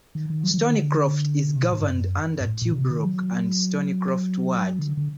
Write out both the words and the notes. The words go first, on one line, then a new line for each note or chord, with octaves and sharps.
Stoneycroft is governed under Tuebrook and Stoneycroft ward.
D#3
D#3
F#3
F#3
D#3
D3
C3
A#2
A2
G2
F#2
G2
A2
A#2
D3
C3
D#3
F#3
D3
D3